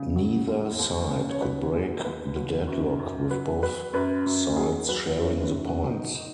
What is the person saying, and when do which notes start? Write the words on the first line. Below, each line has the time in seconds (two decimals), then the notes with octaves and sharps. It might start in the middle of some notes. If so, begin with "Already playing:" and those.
Neither side could break the deadlock with both sides sharing the points.
Already playing: C#3
0.16 F#3
0.47 D#2
0.79 D#2
1.11 C#3
1.31 C#5
1.41 F#3 B4
1.73 D#2 G#4
2.05 D#2 B4
2.36 F#3
2.67 F#2
2.99 F#2
3.30 F#3 B4
3.63 F#3 B4
3.93 F#2 B4
4.26 F#2
4.57 F#3 G#4
4.89 F#3 B4
5.20 F#2 C#5
5.44 B4
5.51 F#2
5.67 F#4
5.82 F#3
5.91 D#4
6.14 D#4